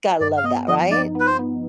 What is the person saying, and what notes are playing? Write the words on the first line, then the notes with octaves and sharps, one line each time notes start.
Gotta love that, right?
G2 D5
F5
B3 D#5
F3 D#5
D#4 D5
B3
B4
C5
B3